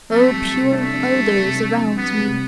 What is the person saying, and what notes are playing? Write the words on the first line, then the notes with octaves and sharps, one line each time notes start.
O pure odours around me!
F2 A3
G3
C3
A3 D4
F2
G3
C3
D4
F2
G3 B3
C3